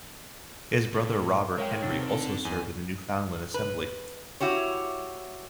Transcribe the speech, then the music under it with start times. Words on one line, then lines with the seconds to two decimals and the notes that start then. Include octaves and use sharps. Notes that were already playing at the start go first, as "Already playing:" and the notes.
His brother Robert Henry also served in the Newfoundland assembly.
0.94 A2
1.58 G#3 A#4 C#5 F5 G5
1.83 C3 C4 D#4
2.07 D4 A4
2.45 E2 G#5
3.54 B4
4.40 E4 F#4 G4 C#5